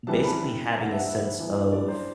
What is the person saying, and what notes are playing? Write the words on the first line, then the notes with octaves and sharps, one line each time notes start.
basically, having a sense of
C3 E3 G3 B3 A5
B5
A5
F#5
E5
F#5
E5
G2 E3 B3
D5
C5